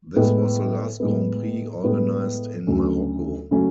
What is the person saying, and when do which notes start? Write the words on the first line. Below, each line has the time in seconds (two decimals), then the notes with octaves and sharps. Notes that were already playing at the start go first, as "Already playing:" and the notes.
This was the last Grand Prix organized in Morocco.
0.16 A2 G#3 B3
1.00 A2 G#3 B3
1.84 A2 G#3 B3
2.67 D2 C#3 F#3 A3 C#4
3.51 C#3 F#3 A3 C#4